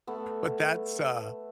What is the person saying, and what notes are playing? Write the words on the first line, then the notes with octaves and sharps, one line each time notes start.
but that's, uh
A3 B3